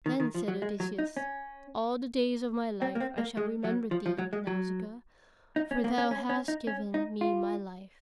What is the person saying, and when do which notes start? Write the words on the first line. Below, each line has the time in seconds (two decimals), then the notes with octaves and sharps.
Then said Odysseus: "All the days of my life I shall remember thee, Nausicaa, for thou hast given me my life."
0.06 D#3
0.20 D#3
0.35 F3
0.48 F#3
0.62 G#3
0.80 F#3
0.99 D#4
1.17 C#4
2.82 C4
2.95 A#3
3.00 C4
3.18 A#3
3.37 G#3
3.64 F#3
3.91 F3
4.06 F3
4.18 F#3
4.33 G#3
4.47 F#3
5.56 D#4
5.71 C#4
5.84 A#3
5.98 C#4
6.11 C#4
6.29 C#4
6.48 D#4
6.67 C#4
6.94 D#4
7.21 F4